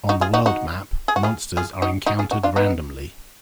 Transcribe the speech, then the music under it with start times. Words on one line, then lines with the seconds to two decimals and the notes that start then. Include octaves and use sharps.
On the world map, monsters are encountered randomly.
0.09 D#4 F#4
0.21 F4 G#4
0.34 D#4 F#4
0.46 D#4 F#4
1.08 G#4
1.16 F#4
1.23 F4 G#4
1.57 F4 G#4
1.82 D#4 F#4
2.06 D#4 F#4
2.19 F4 G#4
2.31 D#4 F#4
2.43 D4 F4
2.56 B3 D#4